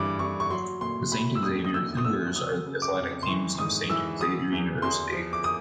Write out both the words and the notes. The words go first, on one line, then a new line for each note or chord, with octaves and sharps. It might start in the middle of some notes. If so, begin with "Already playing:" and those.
The Saint Xavier Cougars are the athletic teams of Saint Xavier University.
Already playing: G2 E3 D6
G2 C#6
C#6
F#3 C6
A#2 C6
A#2 B5
E6
F2 D#6
D#6
D3 E6
D#6
D3 E6
F#3 D#6
C#3
D6
F2
C6
E3 C#6
G#2 D#6
E3 E6
F#3 D#6
E2
E2 C6
F3
D6
D#6